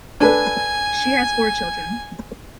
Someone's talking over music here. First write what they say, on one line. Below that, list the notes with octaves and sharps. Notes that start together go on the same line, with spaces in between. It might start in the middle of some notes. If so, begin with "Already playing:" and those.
She has four children.
D4 A4 B4 G#5